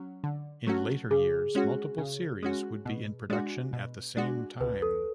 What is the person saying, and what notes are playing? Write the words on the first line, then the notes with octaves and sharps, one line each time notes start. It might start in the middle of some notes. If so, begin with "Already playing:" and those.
In later years, multiple series would be in production at the same time.
Already playing: F#3 C#4
D3
F#3 A3 C#4 F#4
C#3 G#4
G#3 C#4 F#4
C#3
G#3 C#4 F#4
B2
G#3 D4 F#4
B2
G#3 D4 F#4
C#2 B4
A4